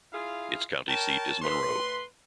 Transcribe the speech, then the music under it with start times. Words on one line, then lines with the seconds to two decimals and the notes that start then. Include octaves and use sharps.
Its county seat is Monroe.
0.13 E4 F4 G#4 F5
0.88 A#4 C#5 G5 A5
1.42 A2 B4 C6